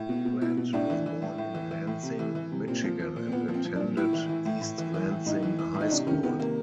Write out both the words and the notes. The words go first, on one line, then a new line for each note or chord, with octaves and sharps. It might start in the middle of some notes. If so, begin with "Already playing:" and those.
Pratt was born in Lansing, Michigan and attended East Lansing High School.
Already playing: A2
B2
B2
B2 E4
B2
A2 D4
E3
E3
A2
A2
E3
E3
A2
C3
E3
E3
C3
A#2 C4
F3
F3
A#2
C4
A#2 B3
F3
C4
F3
D4
A#2
A2 E4
E3
E3
A2
A2
E3
E3
A2
A2 D#4
E3
E3
A2
D#4
C3 D4
D#3 C#4
D#3 B3
C3 A#3